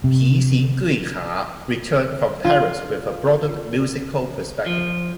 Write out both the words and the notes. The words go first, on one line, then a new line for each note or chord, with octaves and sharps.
Pixinguinha returned from Paris with a broadened musical perspective.
C3
F4
F3